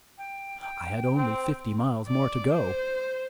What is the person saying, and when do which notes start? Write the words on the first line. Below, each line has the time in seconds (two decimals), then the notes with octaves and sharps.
I had only fifty miles more to go.
0.18 G5
0.62 G5
1.17 C4
2.08 D5
2.53 C5